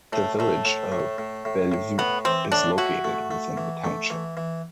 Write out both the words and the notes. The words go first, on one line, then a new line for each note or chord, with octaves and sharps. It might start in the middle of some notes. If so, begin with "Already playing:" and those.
The Village of Bellevue is located within the township.
A2 A3
A2 A3
A2
A2
A2
A2
A2
A2 B3
E3 C4
A2 D4
E4 F#4
A3
A3
E3
A3
E3
E3